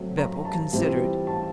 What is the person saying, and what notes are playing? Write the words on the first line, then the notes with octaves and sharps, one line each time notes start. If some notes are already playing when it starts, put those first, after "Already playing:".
Beppo considered.
Already playing: F#3 A3 C4
A#5
A5
E3 G3 C4 F4
A5